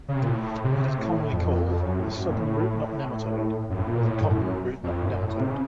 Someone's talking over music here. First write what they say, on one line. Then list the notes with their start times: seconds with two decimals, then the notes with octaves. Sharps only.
It is commonly called the "southern root-knot nematode'" or the "cotton root-knot nematode".
0.08 C#3
0.15 C3
0.23 A#2
0.29 A2
0.64 C3
0.72 C#3
0.81 C3
0.98 A2
1.32 F2
1.67 F2
1.83 F#2
1.99 A2
2.17 F#2
2.30 A#2
2.35 A2
3.70 F#2
3.79 A2
3.87 A#2
4.04 A2
4.21 F#2
4.31 A2
4.38 F#2
4.84 F2
5.02 A2
5.06 F#2
5.23 A2
5.40 C3
5.50 C#3